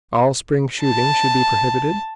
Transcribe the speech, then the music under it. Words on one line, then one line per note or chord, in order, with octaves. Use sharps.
All spring shooting should be prohibited.
A5